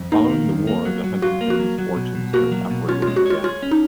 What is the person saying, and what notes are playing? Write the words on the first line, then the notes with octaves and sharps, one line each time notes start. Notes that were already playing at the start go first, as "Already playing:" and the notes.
Following the war, the Huntington's fortunes turned upward once again.
Already playing: F2
A#3 D#4
D#3
F2
A#3
F#3
F#3
F4 F#4
A#3
F#4
F#3
F#3
B2
B2
A#3 F#4
F#3
B2
C#4 F4
F4
G#3
F#4
F4 C#5
F4 G#4
C#4
D#4